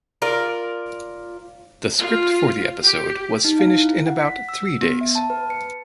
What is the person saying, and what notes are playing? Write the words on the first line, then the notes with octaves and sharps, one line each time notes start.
The script for the episode was finished in about three days.
F4 A#4 D5
F4
G4
D#4
F5
E4
F#5
B6
E6
B3
E5
A5
B4
C#7